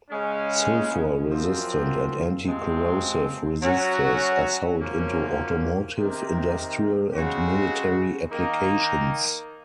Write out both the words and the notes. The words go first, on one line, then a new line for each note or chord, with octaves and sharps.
Sulfur resistant and anti-corrosive resistors are sold into automotive, industrial, and military applications.
C#3 G#3 C#4
F#2 F3 C4
C3 F3 G#3 C4
F#3 C#4 F#4
F#2 F3 A#3 C#4
C3 D#3 A#3
C#3 G#3 C4 F#4
D#3 A#3 D#4